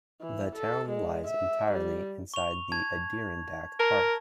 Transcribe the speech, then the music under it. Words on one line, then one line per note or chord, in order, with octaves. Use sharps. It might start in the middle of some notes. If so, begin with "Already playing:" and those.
The town lies entirely inside the Adirondack Park.
E3
A4
G#3
E5
G3
C#6 F7
A5 G#6
A#4 A5